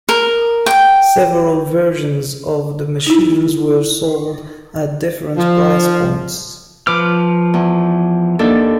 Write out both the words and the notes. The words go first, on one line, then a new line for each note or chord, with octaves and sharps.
Several versions of the machines were sold at different price points.
A#4
G5
D#4 E4
F3
F3 B4 D6 F6
E2
D#2 D4 A4